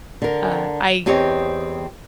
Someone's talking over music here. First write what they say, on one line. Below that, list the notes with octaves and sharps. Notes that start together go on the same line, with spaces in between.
uh, I
D3 A#4
E2 C4 G4 C5 C#5 D#5